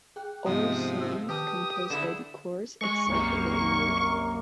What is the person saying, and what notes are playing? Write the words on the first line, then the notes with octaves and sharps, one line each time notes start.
All songs composed by The Corrs except where noted.
G#4 G5 F#6
G#2 C3 F3 B3 D#5 F5 D#6
E6
D#3 G4 B4 A5 D#6
D3 C4 E4 G#4 E7
G#3 C#6
C2 F#2 A#3